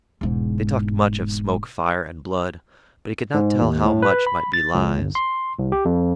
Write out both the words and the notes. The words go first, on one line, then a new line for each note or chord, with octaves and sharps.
They talked much of smoke, fire, and blood, but he could not tell how much might be lies.
E1 G#2
G#2
D#2
A2
B4
B5
A6
C#2
G1
C6
C2
G4
F2